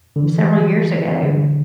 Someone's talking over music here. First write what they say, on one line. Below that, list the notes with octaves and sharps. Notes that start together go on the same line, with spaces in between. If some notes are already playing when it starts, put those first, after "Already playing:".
several years ago,
D3
E3
D3